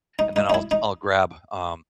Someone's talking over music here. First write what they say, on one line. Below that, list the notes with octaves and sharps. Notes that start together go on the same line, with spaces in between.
and then I'll I'll grab, um,
D#4
D#4
D#4
E4
D#4